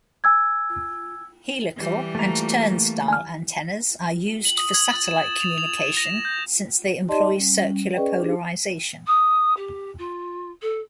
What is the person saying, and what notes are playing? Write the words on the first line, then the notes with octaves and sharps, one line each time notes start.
Helical and turnstile antennas are used for satellite communication since they employ circular polarization.
G#5 E6 G#6
E3 G3
A3 A#3 A#5
G#5 F6
F#7
D#6
G#6
A6
E7
F7
F7
E7
A#6
G6
D#4 G4 D5 D#5 A5 C6
G3 C#4
C#4 G#4 B4 D5 D#5 G5
D4 D#4 G4 G#4
D#6
G4
F4
A4